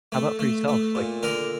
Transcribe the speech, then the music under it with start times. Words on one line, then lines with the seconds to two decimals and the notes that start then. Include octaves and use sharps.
How about for yourself? Like
0.12 A3
0.39 A3
0.68 A3
0.95 A#2
1.23 D3 A#4